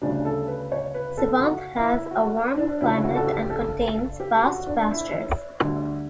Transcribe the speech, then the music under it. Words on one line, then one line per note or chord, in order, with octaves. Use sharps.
Sivand has a warm climate and contains vast pastures.
D2 C#3 G3 D4
A4
B4
C#5
B4
A4
F#4
E4
F#4
D4
D2 C#3 F#3 E4
F#4
A4
G4
A4
G4
F#4
D4
E4
D2 D3 G3